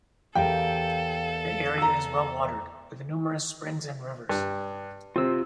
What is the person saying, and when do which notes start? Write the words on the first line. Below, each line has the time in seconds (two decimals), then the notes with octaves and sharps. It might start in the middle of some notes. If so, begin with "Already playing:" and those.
The area is well watered, with numerous springs and rivers.
0.35 E2 G4 A4 A#4 F5 G5
1.78 A#5 E6
4.29 G2
5.16 C3 C4 F4 E6